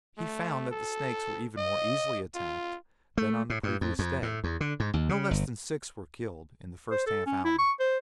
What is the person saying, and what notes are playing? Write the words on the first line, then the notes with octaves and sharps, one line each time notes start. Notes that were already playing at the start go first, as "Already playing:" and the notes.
He found that the snakes were even more easily attacked than on the previous day; no less than six were killed in the first half-hour.
A3
A4
D#5
F4
A3
A2
G2
F2
F2
A2
E2
D3
G#2
D#2
C#3
G1
C5
A4
C#4
E4
C#6
C5